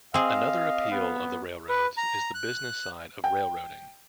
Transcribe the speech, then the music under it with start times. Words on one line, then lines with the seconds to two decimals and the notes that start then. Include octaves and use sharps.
Another appeal of the railroads is the business side of railroading.
0.14 C4 G#4 D#5 F5
0.91 B3
1.69 B4
1.97 A#5
2.35 F#6
3.24 G5